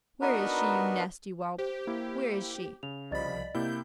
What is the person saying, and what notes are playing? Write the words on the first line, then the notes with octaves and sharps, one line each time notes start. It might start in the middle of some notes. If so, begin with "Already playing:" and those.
Where is she, you nasty whelp, where is she?
B3 D4 D#4 F#4 A#4 B4
G4 C5
A#3 E4
C#3 F7
C2 F3 D5 D#5 B5 A6
C3 A#3 E4 G6